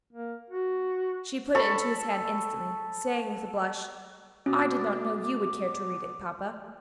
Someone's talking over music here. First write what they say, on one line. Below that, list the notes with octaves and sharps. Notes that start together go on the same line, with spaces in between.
She put it into his hand instantly, saying, with a blush, "I did not know you would care to read it, papa."
A#3
F#4
A4 B5 C#6
B2 C#4 D6